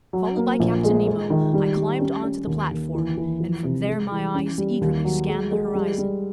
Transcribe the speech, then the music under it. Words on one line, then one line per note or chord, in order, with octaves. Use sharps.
Followed by Captain Nemo, I climbed onto the platform, and from there my eyes eagerly scanned the horizon.
F#3
A#3
A#1
G#3
G#3
D#3
G3
G3
C#4
C#4
D#2
D#2
E3
E3
F3
C3
G#3
E3
C#4
G3
D#2
F#3
G#3
G#3
G3
G3